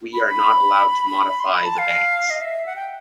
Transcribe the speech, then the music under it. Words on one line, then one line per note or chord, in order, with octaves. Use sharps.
We are not allowed to modify the banks.
B5
B5
C6
B5
A5
F5
D#5
E5
F#5
G5